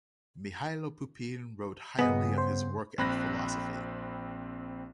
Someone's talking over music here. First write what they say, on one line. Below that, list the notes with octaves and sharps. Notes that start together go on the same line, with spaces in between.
Mihailo Pupin wrote highly of his work and philosophy.
G2 C#3 B3 G#4 D#5
C5
A#1 C4 B5 F#6 A#6